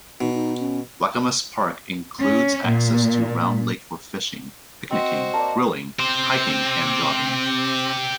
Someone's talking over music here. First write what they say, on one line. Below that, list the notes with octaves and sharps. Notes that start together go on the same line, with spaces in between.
Lacamas Park includes access to Round Lake for fishing, picnicing, grilling, hiking, and jogging.
B2 D#4
D#4
C#4
C#4
A#2
C4 F#4 C5 D#5
A#3 C#5 D5 A5
C4 G4 C5